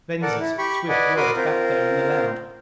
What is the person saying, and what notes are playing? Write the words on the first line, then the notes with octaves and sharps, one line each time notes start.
Venza's swift words back there in the lounge.
A4 A#4 D5 F#5
E4
G4 B5 C#6
B4 D5 D#5 F#5 G#5
F#4 A#4 B5 C6 D6 D#6
C4 F4 A#4